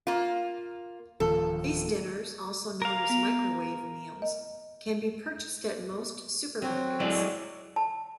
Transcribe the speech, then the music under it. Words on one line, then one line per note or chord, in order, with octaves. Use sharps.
These dinners, also known as microwave meals, can be purchased at most supermarkets.
A#3 F4
D1 D#3 F3 A4
A#4 F5
B3
D#5
F#3 C4 F#4
F#3 G#3 E4 D5
A5